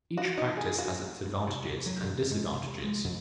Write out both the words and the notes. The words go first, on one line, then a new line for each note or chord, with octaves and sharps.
Each practice has its advantages and disadvantages.
F#4
D#4
G#4
F#4
G2
C3
F#3
E1
G#2
C2
G#3
F2